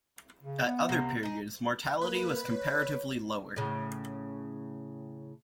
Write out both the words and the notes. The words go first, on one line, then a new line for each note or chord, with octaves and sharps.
At other periods, mortality was comparatively lower.
C#3
B3
C3 A#3
D#4 G#4
A#3 B4
C#5
A2 C#3